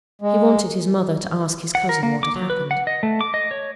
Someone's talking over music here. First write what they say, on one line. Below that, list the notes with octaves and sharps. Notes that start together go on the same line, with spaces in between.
He wanted his mother to ask his cousin what had happened.
G#3
F#5
A#4
A#3
D6
F#3
B4
F#5
D#5
A3
D6
D#5
C#5